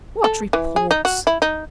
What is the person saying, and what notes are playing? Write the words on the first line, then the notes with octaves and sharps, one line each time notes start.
"What reports?"
A4
E3
G#4
D#4
F#4
E4
D#4